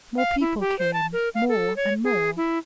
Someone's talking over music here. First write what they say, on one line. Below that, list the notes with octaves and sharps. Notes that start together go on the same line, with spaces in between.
More people came--more and more.
F5
E4
G4
C5
A5
A#4
F5
A4
C#5
G#4
E4